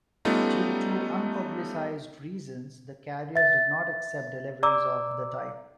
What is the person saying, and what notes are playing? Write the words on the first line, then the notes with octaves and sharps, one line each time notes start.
Due to unpublicized reasons, the carrier did not accept deliveries of the type.
G3 A3 B3 C#4 D#4 F4
E5 A6
D5 A#5 D6 E6